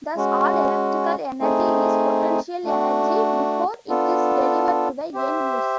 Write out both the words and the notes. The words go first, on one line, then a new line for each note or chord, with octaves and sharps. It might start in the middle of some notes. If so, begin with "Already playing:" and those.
Thus, all electrical energy is potential energy before it is delivered to the end-use.
G#3 C#4 F#4
A3 C4 D#4 G#4
A3 D4 F#4
B3 D4 F4 A4
G4 C5 E5